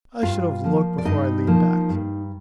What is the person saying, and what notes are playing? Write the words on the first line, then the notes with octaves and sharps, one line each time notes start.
I should have looked before I leaned back.
G2 F4 F5
F3 A#3
D5
G2 D#4 D#5
F3 A#3
G2